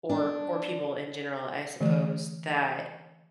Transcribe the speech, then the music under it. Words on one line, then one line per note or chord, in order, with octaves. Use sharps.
or or people in general, I suppose, that
D4
D3 E3 A3